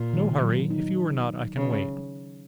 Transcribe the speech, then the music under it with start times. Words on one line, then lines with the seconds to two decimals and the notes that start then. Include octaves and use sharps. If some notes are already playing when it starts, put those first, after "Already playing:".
No hurry; if you are not, I can wait.
Already playing: A#2
0.13 D#3
0.42 F#3
0.70 D#4
1.56 C#3